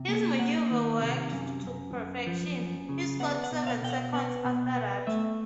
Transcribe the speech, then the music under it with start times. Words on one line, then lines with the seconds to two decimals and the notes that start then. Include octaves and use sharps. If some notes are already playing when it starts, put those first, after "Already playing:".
His maneuver worked to perfection: He scored seven seconds after that.
Already playing: C3
0.08 A#3
0.39 A#3 F#5
0.71 D#3
1.02 C3
1.33 F#2
1.64 F#2
1.96 F#2
2.27 F3
2.57 F#2
2.89 C#3
3.20 B3 F#5
3.44 F#5
3.51 B2
3.67 F5
3.82 B2 G5
3.90 F#5
4.13 B3 F#5
4.45 B2
4.76 B3
5.07 A3 E5